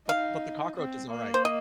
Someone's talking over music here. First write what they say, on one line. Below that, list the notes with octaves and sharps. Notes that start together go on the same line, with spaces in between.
But but the cockroach is alright,
D#4 F5
C4
A#3
C5
D#5